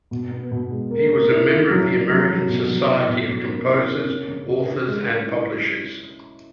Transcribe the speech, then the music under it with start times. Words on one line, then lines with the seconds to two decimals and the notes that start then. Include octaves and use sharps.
He was a member of the American Society of Composers, Authors and Publishers.
0.11 B2
0.32 B3
0.51 B2
0.71 G#3
0.91 A#3
1.10 A#3
1.31 E4
1.50 E4
1.70 F#3
1.90 C#3
2.10 F#3
2.30 F#3
2.49 B2
2.69 F#3
2.89 E4
3.09 B2
3.29 F#2
3.48 A#3
3.68 E4
3.88 A#3
4.08 C#4
4.28 C#3
4.48 C#3
4.67 C#4
4.87 G#3
5.07 G#3
5.27 E4